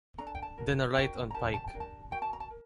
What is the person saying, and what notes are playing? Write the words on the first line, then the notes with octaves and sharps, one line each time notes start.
Then a right on Pike.
D4 A4 A#5
A5
G5
A5
D4 F#4 A#4
D4 F#4 A#4 G5
A#5
D4 G4 A#4 A5
A5
G5
D4 G4 A#4
A5
F#4 A#4 G5
A5
A#5
A5
A#4